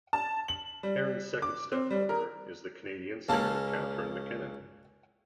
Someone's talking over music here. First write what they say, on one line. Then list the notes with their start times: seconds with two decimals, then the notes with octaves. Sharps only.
Harron's second stepmother is the Canadian singer Catherine McKinnon.
0.13 A5
0.48 F#7
0.83 G3
1.42 D6
1.72 C4
1.91 G3
2.09 A#4
3.29 C#2 A#3 C#4 A5